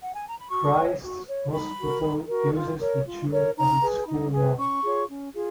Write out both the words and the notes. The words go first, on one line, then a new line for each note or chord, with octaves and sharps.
Christ's Hospital uses the tune as its school march.
F#5
G#5
A#5
B5
F#4 C#6
C#5
F#4
C#5
D#4 B5
F#4 A#4
D#4
F#4 A#4
F4
A#4 C#5
F4
A#4 C#5
D#4 A#5
G#4 B4
D#4
G#4 B4
C#4 C#6
F4 G#4 C#5
C#4
F4 G#4